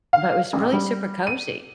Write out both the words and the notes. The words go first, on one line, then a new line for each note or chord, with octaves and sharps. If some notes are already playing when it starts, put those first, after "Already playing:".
but, it was really super cozy
F5
A1
G3
D#7